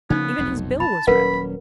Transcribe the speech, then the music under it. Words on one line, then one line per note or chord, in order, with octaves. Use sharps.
Even his bill was red.
C#3 F3 A#3 B3 D#4
F1 B1 F2
A5 B5
D#1 F#3 C#4 A#4 B4 F#5 B5